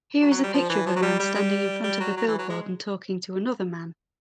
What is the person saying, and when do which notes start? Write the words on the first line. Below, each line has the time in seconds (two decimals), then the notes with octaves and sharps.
Here is a picture of a man standing in front a billboard and talking to another man.
0.21 F#3
0.31 F#3
0.43 G3
0.54 F3
0.69 E3
0.86 F3
0.96 F#3
1.02 G3
1.19 G3
1.34 G3
1.84 G3
2.00 F#3
2.17 F#3
2.28 E3
2.39 F#3
2.49 G#3